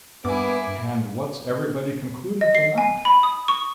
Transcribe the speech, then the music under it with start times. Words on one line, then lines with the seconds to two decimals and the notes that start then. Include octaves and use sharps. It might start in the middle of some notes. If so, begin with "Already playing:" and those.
"And what's everybody concluded from that?"
0.25 G2 A#3 B3 E4 G#5 D6
2.41 D#5
2.55 C7
2.78 G#5
3.05 B5
3.23 D#6
3.48 C#6